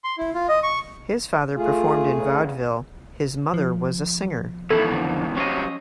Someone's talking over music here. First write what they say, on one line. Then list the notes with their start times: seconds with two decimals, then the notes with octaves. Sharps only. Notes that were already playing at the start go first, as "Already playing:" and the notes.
His father performed in vaudeville; his mother was a singer.
0.04 C6
0.18 E4
0.34 F4
0.49 D#5
0.63 C#6
1.56 A3 F4 G#4
2.18 E2 C#3
3.54 F3
4.71 B2 D#3 E3 E4 A4
4.91 F2 D3
5.37 F#3 C#4 G4 C5 D#5